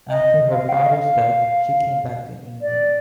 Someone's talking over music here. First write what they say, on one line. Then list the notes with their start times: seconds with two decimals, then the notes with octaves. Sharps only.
After her father's death, she came back to England.
0.10 D#5
0.52 F5
0.69 G5
0.72 F5
0.86 D#5
0.89 F5
2.62 D5